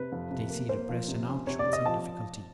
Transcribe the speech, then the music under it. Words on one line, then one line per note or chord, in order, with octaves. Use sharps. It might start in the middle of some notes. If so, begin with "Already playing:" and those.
Stacy repressed an "ouch" with some difficulty.
Already playing: C3 B4
F2
C3
A#3
A#3 C5
F3
C3
C#4
C3 C#5
D5
C3
D#5
F3 A5